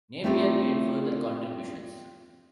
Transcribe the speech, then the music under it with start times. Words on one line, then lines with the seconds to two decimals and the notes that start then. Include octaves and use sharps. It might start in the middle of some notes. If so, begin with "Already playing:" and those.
Napier made further contributions.
0.24 A3 C4 E4 F4 G4 A#4